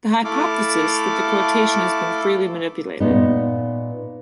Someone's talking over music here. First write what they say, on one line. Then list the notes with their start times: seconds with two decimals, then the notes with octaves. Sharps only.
The hypothesis that the quotation has been freely manipulated.
0.24 A3 E4 A4 F5 D6
3.00 A#2 B3 D#4